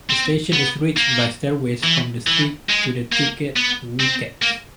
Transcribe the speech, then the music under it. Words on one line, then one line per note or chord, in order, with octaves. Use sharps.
The station is reached by stairways from the street to the ticket wickets.
C4
B3
A#3
E3
E3
G#3
A#3
B3
C4
A#3